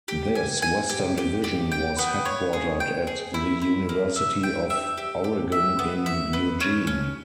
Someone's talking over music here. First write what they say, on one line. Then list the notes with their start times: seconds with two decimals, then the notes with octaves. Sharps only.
This western division was headquartered at the University of Oregon in Eugene.
0.08 G4
0.35 G#5
0.62 G#5
0.89 G4
1.18 G4
1.44 G4
1.72 G5
1.98 B3
2.25 C#5
2.53 G#4
2.80 G5
3.07 G#4
3.34 E4
3.62 E4
3.89 A#3
4.16 E5
4.43 G5
4.70 E5
4.97 G4
5.24 G4
5.52 E5
5.79 B3
6.06 E5
6.33 B3
6.60 C#4
6.87 C#4